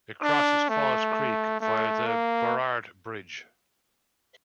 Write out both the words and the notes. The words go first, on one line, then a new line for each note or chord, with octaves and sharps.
It crosses False Creek via the Burrard Bridge.
D4
A3
A3
A#3